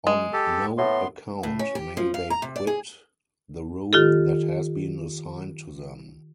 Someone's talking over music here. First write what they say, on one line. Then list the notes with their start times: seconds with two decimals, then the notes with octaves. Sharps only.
On no account may they quit the room that has been assigned to them.
0.07 G#3
0.33 G4 A4
0.78 A2 B3 C6
1.43 A2
1.59 C#4
1.75 G4
1.97 F3
2.14 F5
2.30 A#5
2.42 C3
2.56 D5
2.67 G#4
3.93 D#3 F4 G4 A4